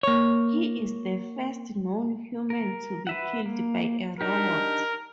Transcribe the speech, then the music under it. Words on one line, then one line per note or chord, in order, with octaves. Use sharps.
He is the first known human to be killed by a robot.
A#3 C#5
A#4
B4 E5 F#5
A#3
D4 D#4 G4 A#4